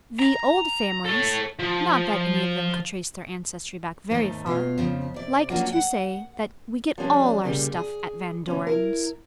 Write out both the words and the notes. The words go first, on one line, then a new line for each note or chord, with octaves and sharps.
The "old" families--not that any of them could trace their ancestry back very far--liked to say that "we get all our stuff at Van Doren's."
A#5
A4 C#5
F3
D#2 G#2 A3 D#4
B2 F4 E5 F5
F2 A#2 C#3 F3
C3 D5
F#3 A#3 C#4 D4 F4 F#4
F#5
F3 G3 C#4 D4
A#2 C#3 G3
G#4
D2 C#4
E4 A#4